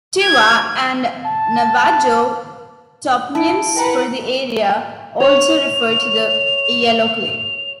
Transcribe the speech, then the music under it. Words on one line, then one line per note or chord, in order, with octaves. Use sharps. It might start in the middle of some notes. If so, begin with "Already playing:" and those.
Tewa and Navajo toponyms for the area also refer to the yellow clay.
G#6
A5
E4 A5 D7
A#4 B4 F#5 G5 A#5
C#5 F7